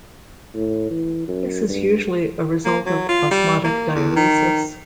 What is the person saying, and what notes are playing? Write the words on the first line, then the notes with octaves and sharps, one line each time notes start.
This is usually a result of osmotic diuresis.
A2
E3
F#2
G2
A#3
F#3
F4
G3
A#3
E2
D#3